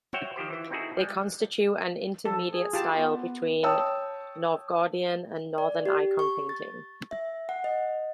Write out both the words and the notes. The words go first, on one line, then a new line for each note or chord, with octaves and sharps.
They constitute an intermediate style between Novgorodian and Northern icon painting.
F#4 C5 C#5 E5 F#5 G5
D#3 F3 G4 C5
E3
C4 D#4 E4 F#4 G#4 A4
G3 G#3
F3 A4
G#4
F4 G4 A5
B3
C#5 G5 A5 D#6 E6
D5
G4
C#6
A6
E5
F#5
D#5